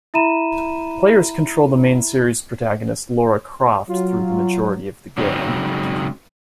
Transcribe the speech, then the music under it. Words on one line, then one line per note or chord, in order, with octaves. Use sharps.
Players control the main series protagonist Lara Croft through the majority of the game.
E4 E5 A#5 B5 D#7 E7
F#3 F4
C#3 F#3 G#3 C4 C#4 D#4